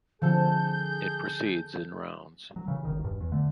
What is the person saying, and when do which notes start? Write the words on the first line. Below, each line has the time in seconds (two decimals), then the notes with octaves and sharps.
It proceeds in rounds.
0.22 D3 F3 G#4 A4 A5 G6
2.56 F#3
2.67 C#3 E3
2.85 G1 C#2 D#3
3.04 E1 G2
3.20 E2
3.32 D3 A3